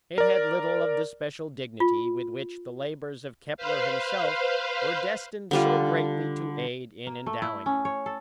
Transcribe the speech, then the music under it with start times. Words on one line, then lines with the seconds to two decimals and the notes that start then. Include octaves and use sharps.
It had little of the special dignity with which the labours of Kepler himself were destined so greatly to aid in endowing it.
0.18 A#4 D5
1.80 F4
3.57 B4 C5 F5
5.51 D3 G3 F4
7.07 A#3
7.26 A3
7.42 E4
7.66 C#4
7.85 C#5
8.06 A4